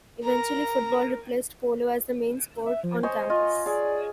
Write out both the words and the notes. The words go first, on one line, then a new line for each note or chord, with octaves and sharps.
Eventually, football replaced polo as the main sport on campus.
A#4 A#5
E5
F3
C5 C#5 D#5 G#5
F4 D#5
G#4 D5